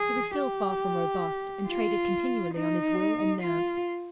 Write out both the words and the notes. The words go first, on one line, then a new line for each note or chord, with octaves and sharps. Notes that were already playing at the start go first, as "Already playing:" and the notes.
He was still far from robust, and traded continually on his will and nerve.
Already playing: G#4
G4
F4
D#4
F4